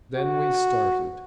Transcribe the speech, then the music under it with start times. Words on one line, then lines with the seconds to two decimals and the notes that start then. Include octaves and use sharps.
Then we started.
0.16 F#4